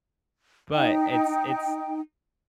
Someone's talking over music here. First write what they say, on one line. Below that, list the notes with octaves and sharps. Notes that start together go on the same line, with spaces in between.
but it's it's,
D#4 G5